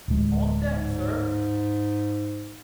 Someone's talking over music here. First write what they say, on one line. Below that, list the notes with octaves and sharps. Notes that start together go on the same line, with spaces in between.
"On deck, sir."
D1 G#3
G#2